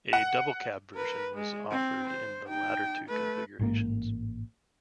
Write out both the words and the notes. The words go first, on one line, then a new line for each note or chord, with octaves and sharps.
A double cab version was offered in the latter two configurations.
F#5
A#4 B4
G#3
C4
C5
D#4 G5
A3 B4
A1 G#2 A#3